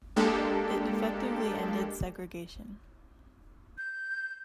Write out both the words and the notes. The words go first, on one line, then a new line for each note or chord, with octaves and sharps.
It effectively ended segregation.
G#3 A#3 D4 G4 A4
G6